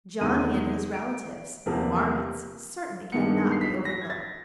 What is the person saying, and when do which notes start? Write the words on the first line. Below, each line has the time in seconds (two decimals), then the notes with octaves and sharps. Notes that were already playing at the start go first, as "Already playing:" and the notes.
Johnny and his relatives, the Marmots, certainly cannot be overlooked.
0.21 E2 C3 D#3 G#3 D#7
0.94 D7
1.66 E2 C3 F3 A#3
3.12 G2 D#3 G#3 B3 C#7
3.52 C7
3.61 B6
3.85 A#6
4.02 G#6
4.10 A6